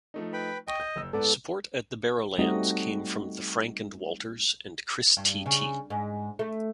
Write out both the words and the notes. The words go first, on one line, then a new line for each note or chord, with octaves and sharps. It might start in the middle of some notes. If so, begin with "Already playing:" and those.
Support at The Barrowlands came from The Frank and Walters and Chris T-T.
F3 A3 D#4
B4 G5 B5
D#5 G5 C#6
G6
F#1 E6
G#2 B3 A4 D5
G3 A3 C4 D#4 F#4 D#5
G2
C#3
G#2
A3